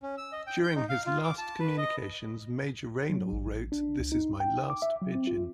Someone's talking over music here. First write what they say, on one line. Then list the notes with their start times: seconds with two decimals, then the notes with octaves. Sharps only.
During his last communications, Major Raynal wrote "This is my last pigeon".
0.03 C#4
0.17 E6
0.32 D#5
0.47 G5
0.64 G6
0.75 D#4
0.89 F5
1.06 F4
1.24 D6
1.38 A5
1.60 B4
1.78 D#5
3.10 F#3
3.32 A1
3.72 D4
3.99 C#2
4.12 D#4
4.40 G5
4.70 D6
4.82 E5
5.01 F#3
5.15 C4
5.27 F4